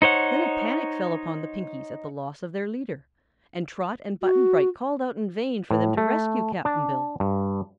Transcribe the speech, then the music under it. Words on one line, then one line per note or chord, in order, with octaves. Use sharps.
Then a panic fell upon the Pinkies at the loss of their leader, and Trot and Button-Bright called out in vain for them to rescue Cap'n Bill.
D#4 C5 C#5 F#5
F#4
A2
A3
D4
G2